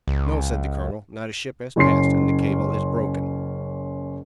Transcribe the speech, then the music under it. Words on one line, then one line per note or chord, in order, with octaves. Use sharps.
"No," said the colonel; "not a ship has passed; and the cable is broken."
C#2
F#1 C#4 C6 C7